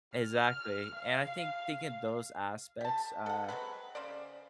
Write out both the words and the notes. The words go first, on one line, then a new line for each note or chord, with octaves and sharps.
Exactly, and I think taking those aspects, uh
F6
F5
G4 A5
A4 F#5
F#3 G#3 C4 B4
C#3 C5 D5